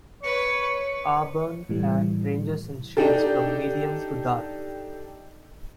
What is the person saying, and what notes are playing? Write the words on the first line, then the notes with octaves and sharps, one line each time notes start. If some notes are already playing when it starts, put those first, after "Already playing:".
Auburn hair ranges in shades from medium to dark.
B4 C#5 C#7
A2 E3 G3
D4 D#4 G4 A4